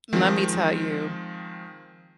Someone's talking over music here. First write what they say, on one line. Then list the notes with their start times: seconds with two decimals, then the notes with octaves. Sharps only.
Let me tell you,
0.13 D#3 F3 G#3 C4